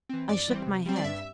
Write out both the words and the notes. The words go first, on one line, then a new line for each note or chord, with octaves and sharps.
I shook my head.
E3 C4
G2 D5
E3 G3 C4
C3
G3 C4
D5
G2 E5